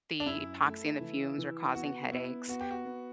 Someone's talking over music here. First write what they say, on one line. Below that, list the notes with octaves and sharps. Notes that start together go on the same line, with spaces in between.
the epoxy and the fumes were causing headaches.
D4
F#2 E4
A3
E3
E3
B3 F#4
B3 E4
B3 F#4
G4
F#4
B3